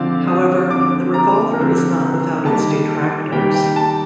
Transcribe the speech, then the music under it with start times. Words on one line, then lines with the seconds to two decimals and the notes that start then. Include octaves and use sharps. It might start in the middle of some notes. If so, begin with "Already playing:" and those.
However, the revolver is not without its detractors.
Already playing: D3 F3 C4 D5 F5
0.27 D#6
0.71 D3 F3 C4 D6
1.14 A#5
1.58 D3 F3 C4
2.45 D#3 G3 A#3 A5
3.32 D#3 G3 A#3 G5
3.54 G5
3.76 A5